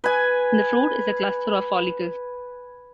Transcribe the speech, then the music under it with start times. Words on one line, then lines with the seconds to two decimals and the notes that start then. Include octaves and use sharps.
The fruit is a cluster of follicles.
0.04 B4 G#5